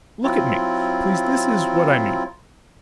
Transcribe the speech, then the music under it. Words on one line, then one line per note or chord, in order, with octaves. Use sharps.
Look at me, please--this is what I mean....
F#3 C4 E4 F4